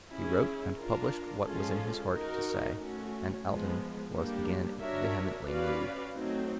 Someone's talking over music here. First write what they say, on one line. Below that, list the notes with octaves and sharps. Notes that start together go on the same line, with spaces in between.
He wrote and published what was in his heart to say, and Alton was again vehemently moved.
C#4 E4 G#4
D4 F4 A#4
F3 G#3 C#4 F4 A4
D#4 F#4 A#4
A3 C#4 F#4
F3 G#3 B3
G3 A#3 D4 G4
D4 F#4 A#4 C#5 E5
C#4 F#4 B4 D5 F5
F#3 A3 C4 D#4